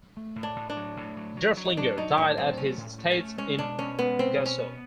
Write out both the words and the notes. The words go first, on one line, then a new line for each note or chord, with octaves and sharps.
Derfflinger died at his estates in Gusow.
A3
A2
D4
A2
D4
F#3
A2
F#3
F#3
F#3
D#4
F#3 D4
F#3 D#4
A2 D4
F#3 C4
A3 C#4
A2
A3
C#4
A3
G#3 C#4
B2 D4
B2 C#4
G#3 B3
B2 C4
B2
C#4
B3